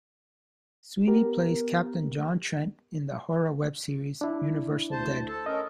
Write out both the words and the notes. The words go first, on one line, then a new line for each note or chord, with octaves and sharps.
Sweeney plays Captain John Trent in the horror web series, "Universal Dead".
B3 G4 A#4
D4 E4
D2 C5 A5
A4 A5
C#4 A4 A#4 D#5